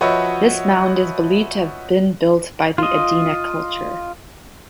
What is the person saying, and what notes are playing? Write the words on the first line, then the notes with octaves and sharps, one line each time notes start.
This mound is believed to have been built by the Adena culture.
F3 F#4 B4 C#5 D#5 E5
F4 D#5